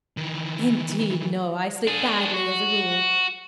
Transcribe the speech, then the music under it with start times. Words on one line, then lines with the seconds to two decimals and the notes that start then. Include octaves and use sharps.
"Indeed no, I sleep badly, as a rule."
0.17 D#3 E3
1.87 D4 G#4
2.34 F#4